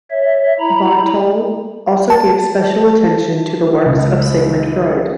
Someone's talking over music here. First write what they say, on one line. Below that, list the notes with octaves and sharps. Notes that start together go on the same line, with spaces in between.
Bartol also gave special attention to the works of Sigmund Freud.
C#5 E5
E4 A#5 B5
A5
C#2